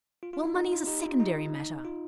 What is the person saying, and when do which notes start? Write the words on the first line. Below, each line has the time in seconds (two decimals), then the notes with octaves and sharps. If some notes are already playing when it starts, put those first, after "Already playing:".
Well, money is a secondary matter.
0.23 F4
0.33 F4
0.44 D#4
0.55 D#4
0.71 F4
0.87 D#4 G4
1.04 F4
1.20 D#4
1.85 F4